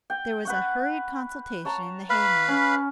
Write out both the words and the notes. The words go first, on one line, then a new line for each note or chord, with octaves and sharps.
There was a hurried consultation in the hay-mow.
G5
B4 F#5 C#6
C#5 A5 A#5
B4 F5 B5
C#4